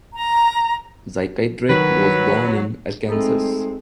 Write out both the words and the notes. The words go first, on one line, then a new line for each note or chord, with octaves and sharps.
Zeichiedrich was born in Arkansas.
A#5
D#3 F#3 B4
G#3 A3 C4 D#4 A4